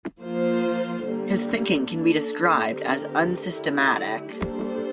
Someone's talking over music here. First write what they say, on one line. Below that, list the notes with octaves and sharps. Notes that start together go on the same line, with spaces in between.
His thinking can be described as unsystematic.
F3 A#3 F4 C5
D3 G3 A#3
A#3 D4 A4
D3 A3 C4 G4 A#4
D3 A3 E4 G4
G3 A#3 D4 A4 C5